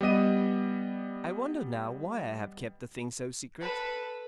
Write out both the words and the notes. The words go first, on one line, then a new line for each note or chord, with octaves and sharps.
I wonder now why I have kept the thing so secret.
G3 B3 D#5 D#7
A4 B4